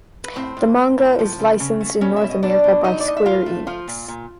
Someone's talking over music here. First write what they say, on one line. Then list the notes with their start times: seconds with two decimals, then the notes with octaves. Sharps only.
The manga is licensed in North America by Square Enix.
0.24 B4
0.36 A2 C4 C5
0.57 A2
0.77 A2
0.98 A2
1.19 F3
1.39 C#3
1.60 C#3
1.81 A3
2.01 B2 C#4 C#5
2.16 E5
2.22 B2
2.30 D#5
2.43 B2 D4 D5
2.64 B2
2.84 F#3 D#4 D#5
3.00 D5
3.05 A2 D#5
3.17 E5
3.25 A2 F4 F5
3.46 A3
3.67 F3 F4 F5
3.88 A#2
4.08 A#2